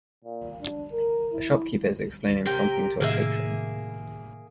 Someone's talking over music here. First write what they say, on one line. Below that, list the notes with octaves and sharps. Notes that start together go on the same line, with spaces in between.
A shopkeeper is explaining something to a patron.
A#2
D4
A#4
E4
C3 A#4 G5
A2 C3 D#3 A#3 G#4 E5